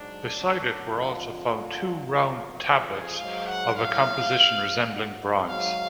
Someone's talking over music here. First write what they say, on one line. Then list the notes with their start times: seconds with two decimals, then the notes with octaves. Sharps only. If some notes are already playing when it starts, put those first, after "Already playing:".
Beside it were also found two round tablets, of a composition resembling bronze.
Already playing: G#2 F#3 D4
0.32 F#2 D3 F#3
0.88 F2 D3 F3 F4
1.46 F2 D3 F#3
2.03 F#2 D3 F3
2.60 F2 F3 F#4
2.89 G#4
3.18 G#2 F#3 F5
3.46 F#5
3.75 A2 F#3 F5
4.33 F2 C#3 F3
4.90 G#2 F#3 F#5
5.47 G#2 F#3 F5